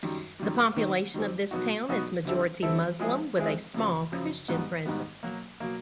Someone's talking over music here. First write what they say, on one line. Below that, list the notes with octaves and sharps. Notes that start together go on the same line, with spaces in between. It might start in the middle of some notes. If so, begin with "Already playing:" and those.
The population of this town is majority Muslim with a small Christian presence.
F#2 D#3 G3
F#2 D#3 G3
D#3 G3 C4
D#3 G3 C4
B2 F#3 B3 D#4 F#4
B2 F#3 B3 D#4 F#4
D3 G3 C4 E4 A4
D3 G3 C4 E4 A4
F3 G#3 C4 E4 G#4
F3 G#3 C4 E4 G#4
F#2 C#3 F3
F#2 C#3 F3
G#2 D#3 G3 B3
G#2 D#3 G3 B3
B2 F#3 A#3
B2 F#3 A#3